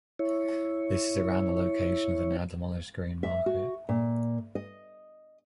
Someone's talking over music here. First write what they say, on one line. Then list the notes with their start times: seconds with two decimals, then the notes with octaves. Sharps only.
This is around the location of the now demolished Green Market.
0.19 E4 C#5
3.23 E5
3.46 F#4
3.89 A#2
4.55 D#5